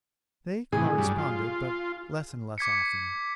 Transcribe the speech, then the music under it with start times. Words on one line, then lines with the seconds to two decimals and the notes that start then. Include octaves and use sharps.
They corresponded, but less and less often.
0.72 A2 C3 E3 G#4
0.98 G2 F#3 G3
1.18 F4
2.58 D6 G#6 B6 C#7